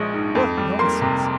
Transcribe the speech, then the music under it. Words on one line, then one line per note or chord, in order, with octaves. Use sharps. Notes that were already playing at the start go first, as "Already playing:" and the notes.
"What nonsense!"
Already playing: A#1 F3 G#3
G#2
F2
G3
A#3 C6
C3